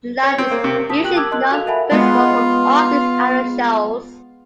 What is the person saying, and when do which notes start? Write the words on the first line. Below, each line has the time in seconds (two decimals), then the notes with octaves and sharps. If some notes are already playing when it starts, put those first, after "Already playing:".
The land is usually not visible from off these outer shoals.
0.23 C#5
0.38 C4
0.51 A#3
0.64 C3
0.90 A5 D#6 B6
1.02 F4 G4 G5 F#6 F#7
1.15 A#4 A5 D6 E6 G#6
1.31 D#5 A5 C6 F#6
1.51 F#4 A4 F5 F7
1.67 A#4 E5 F#5 G#5 A5 B5
1.92 G#3 B3 F4